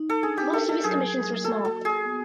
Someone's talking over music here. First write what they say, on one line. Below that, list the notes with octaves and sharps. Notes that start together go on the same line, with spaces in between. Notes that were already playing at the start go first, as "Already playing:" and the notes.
Most of his commissions were small.
Already playing: D#4
A4
D4 G#4
G4
A4 A#4
A4
F#3 G#4
A#3
F#4 A4
A4
F#4
G#4
B3